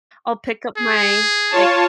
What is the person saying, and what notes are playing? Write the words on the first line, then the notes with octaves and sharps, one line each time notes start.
I'll pick up my, like,
G#4
F4 C#5 A5